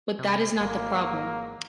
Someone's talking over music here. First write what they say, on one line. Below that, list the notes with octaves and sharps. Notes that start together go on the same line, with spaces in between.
But that is not the problem.
C3
G#1 A#3